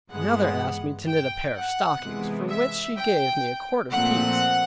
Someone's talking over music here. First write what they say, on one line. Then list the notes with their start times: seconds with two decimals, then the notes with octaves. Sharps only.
Another asked me to knit a pair of stockings, for which she gave me a quart of peas.
0.12 G2 E3 G#3 B3 F#5
1.07 G5
1.55 F#5
2.01 C3 E3 G#3 B3
2.49 E5
2.97 G5
3.92 A#2 F3 A3 C4 F#5